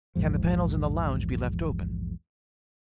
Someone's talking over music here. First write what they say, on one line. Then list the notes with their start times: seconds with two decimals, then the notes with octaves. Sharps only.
"Can the panels in the lounge be left open?"
0.15 A#1 E2 G#2 F3